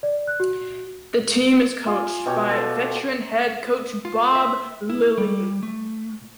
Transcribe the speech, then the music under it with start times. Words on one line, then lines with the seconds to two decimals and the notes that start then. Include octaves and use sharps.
The team is coached by veteran head coach Bob Lilley.
0.03 D5
0.27 F#6
0.40 F#4
1.86 F4 G#5
2.26 B2 G4 C#5
2.51 A4
4.05 F4
4.35 E5
4.90 E4
5.18 G3
5.63 A3